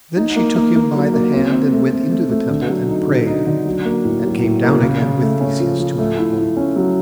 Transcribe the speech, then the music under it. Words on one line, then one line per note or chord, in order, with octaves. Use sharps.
Then she took him by the hand, and went into the temple and prayed, and came down again with Theseus to her home.
D#4
A#3
A#3
A#3
F#3
A#3
C4
C4
A3
A3
A3
A3
D3
F#3
D#4
D3
D#4
D3
F#3
A#3
A2
F#3
A2
A#3
C#3
C#3
A3
C#4
F3
F3
A3
E4
E4
C#4
F#3